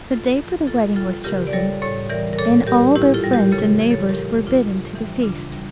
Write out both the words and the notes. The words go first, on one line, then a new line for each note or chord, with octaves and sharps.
The day for the wedding was chosen, and all their friends and neighbours were bidden to the feast.
A#2 F4 A4
F3
A#2 F4 A4
G3 F4 A4
C#3 G4 A#4
D5
G3 A4 C#5
A2 A4 C#5
E3 G3 A#4 D5
A#4
A#2 A4 C#5
G3 G4 A#4
A2 E4 G4
F4 A4
G3
G4 A#4
C#3 A4 C#5
F3
A4 C#5
A2 G4 A#4
G3
D4 F4
A2
E3 G3
C#3 D4 F4
G3